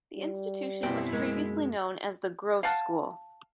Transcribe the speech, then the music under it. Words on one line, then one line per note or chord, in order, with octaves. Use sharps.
The institution was previously known as the Grove School.
G3
F#2 B2 C4 E4 G5
G#3 A#3
F5 F#5 A5